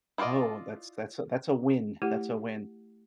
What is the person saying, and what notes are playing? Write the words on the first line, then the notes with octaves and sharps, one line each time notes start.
Oh, that's that's a that's a win. That's a win.
E4 F4 B4 D5 D#5
A3 E4 G4 F#5